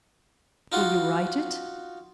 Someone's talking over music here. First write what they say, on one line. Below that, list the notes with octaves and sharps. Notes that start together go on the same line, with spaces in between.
"Will you write it?"
D#4 F4 F#4